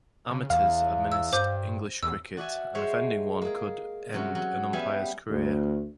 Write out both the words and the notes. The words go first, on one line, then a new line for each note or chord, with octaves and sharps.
Amateurs administered English cricket, and offending one could end an umpire's career.
C#3
E2 F5
E6
G2 C5 D6 G6
E2 E6
F#4 D5 E5 G#5
G#3 C5 C#5 E5
A#3 G#4
C3 F#3 C#4
F#3
G3 B3 E5 F5 G#5
D2